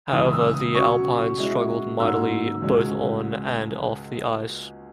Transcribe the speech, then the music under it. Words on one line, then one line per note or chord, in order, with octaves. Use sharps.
However, the Alpines struggled mightily both on and off the ice.
C#2 C#3 E3 D#6
E6
D#6
B2 F#3 C#4 C#6
B2 G#3 C#4 E4
G#2 F#3 A#3 C#4 E6
C#2 B2 G#3 C#4